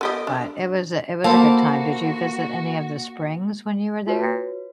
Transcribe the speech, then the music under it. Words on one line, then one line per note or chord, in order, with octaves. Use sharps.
But it was a it was a good time. Did you visit any of the springs when you were there?
B3 G4 D#5
D4
A#3 F#4 A4 C5 F5 B5
F4 F#4 B4 C#5